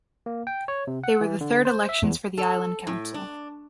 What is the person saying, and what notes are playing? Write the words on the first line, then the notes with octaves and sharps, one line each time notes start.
They were the third elections for the Island Council.
A#3
G5
C#5
C3
F#5
E3
D3
C5
E5
E2
A4
A2
D4